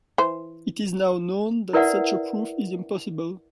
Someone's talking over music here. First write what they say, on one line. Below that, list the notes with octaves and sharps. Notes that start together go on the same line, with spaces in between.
It is now known that such a proof is impossible.
E3 C5
E4 A#4 B4 D5 E5 F#5